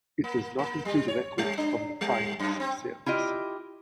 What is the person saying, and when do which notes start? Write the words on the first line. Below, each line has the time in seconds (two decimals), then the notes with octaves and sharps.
It does not include records from the finals series.
0.24 A#3
0.59 A#3
0.85 G3
1.08 C#5
1.38 G3
1.58 D4
2.01 G3
2.39 F#2
2.60 C4
3.06 E4 F4 G4 D#5